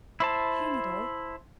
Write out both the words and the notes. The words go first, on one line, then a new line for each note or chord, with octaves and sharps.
Hang it all!
E4 C5 A5